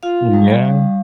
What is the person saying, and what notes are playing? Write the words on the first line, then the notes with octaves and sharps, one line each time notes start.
Mm, yeah.
F4 F5
G3
G3